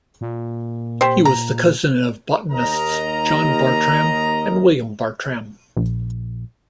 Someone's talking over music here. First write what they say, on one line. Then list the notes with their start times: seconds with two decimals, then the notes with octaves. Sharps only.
He was the cousin of botanists John Bartram and William Bartram.
0.21 A#2
1.01 G4 C5
1.25 A#5
2.52 D#2 A#4 D#5 A#5
5.77 A#1